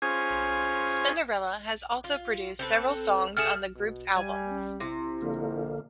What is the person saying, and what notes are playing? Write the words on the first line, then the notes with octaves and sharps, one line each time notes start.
Spinderella has also produced several songs on the group's albums.
C#4 F4 G#4 C5 G#5
F4
C4 A4 B4
A3 F#4 G#4 F6 E7
B2
G3 G#5
C#4
C3 E4
A#1 D3 A#3